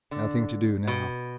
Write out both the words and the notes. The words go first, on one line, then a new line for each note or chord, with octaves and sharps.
Nothing to do, now.
D3
B2